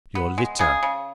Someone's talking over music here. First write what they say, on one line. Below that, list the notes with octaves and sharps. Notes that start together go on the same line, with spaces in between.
Your litter.
B3
G#3
C#3 G#4
C#3